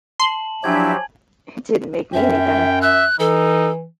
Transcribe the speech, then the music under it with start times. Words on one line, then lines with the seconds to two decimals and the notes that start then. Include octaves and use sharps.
It didn't make me any better.
0.20 A5 C6 F#7
0.64 F3 F#3 D4 E4 G4 E5 G#5 G#6
2.14 F#2 E5 G5
2.82 E5 F#6
3.20 E3 D#4 A4